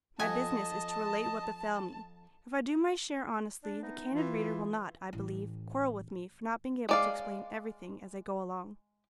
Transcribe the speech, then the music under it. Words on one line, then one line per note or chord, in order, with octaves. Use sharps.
My business is to relate what befell me; if I do my share honestly the candid reader will not, I believe, quarrel with me for not being able to explain everything as I go along.
F2 D#5 F#5 G#5 A5
D4
E3 B3 D#4
E3 F4
A1
G#3 D5 F5